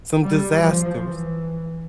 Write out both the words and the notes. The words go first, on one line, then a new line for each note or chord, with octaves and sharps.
some disasters,
G3
F3
E3